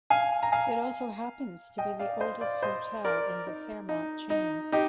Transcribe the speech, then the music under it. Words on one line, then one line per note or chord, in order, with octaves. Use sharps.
It also happens to be the oldest hotel in the Fairmont chains.
F5 G#5
A#5
F5 G#5
D#5 G5
D5 F5
C5 D#5
D5 F5
C5 D#5
A#4 D5
D#4
D#4
D#4
D#4 G4